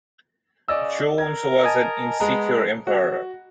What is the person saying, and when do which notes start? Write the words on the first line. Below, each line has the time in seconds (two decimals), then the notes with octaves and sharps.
Joannes was an insecure emperor.
0.68 C#3 D5 D#5 E6
1.18 A#4 G#6
1.64 D#5 G#5 A5
2.20 G#3 B3 A#5
2.87 F#4